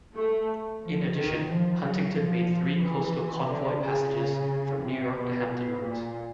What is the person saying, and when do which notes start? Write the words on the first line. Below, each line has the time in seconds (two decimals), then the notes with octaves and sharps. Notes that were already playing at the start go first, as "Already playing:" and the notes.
In addition, "Huntington" made three coastal convoy passages from New York to Hampton Roads.
0.14 A3
0.81 F3
1.14 D#3
1.48 F3
1.81 F#3
2.14 F3
2.81 E3
3.48 D3
3.81 C#3
4.81 C3
5.13 B2
5.47 B2
5.81 A#2